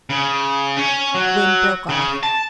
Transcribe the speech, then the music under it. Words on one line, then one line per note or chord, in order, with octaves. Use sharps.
Wind broke off.
C#3
C#4
F#3
C#3
A5